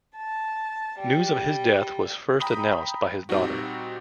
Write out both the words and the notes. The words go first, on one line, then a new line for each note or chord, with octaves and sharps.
News of his death was first announced by his daughter.
A5
G3
G5 A#5 B5 D#6
A#2 G3 C4 D#4 F#4